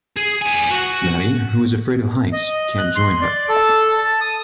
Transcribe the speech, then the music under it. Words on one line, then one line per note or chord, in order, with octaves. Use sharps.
Maddie, who is afraid of heights, can't join her.
G#4
B3 G#5
F#4 F#5
D#5
F#6
C6
D5
A4
A5
D#6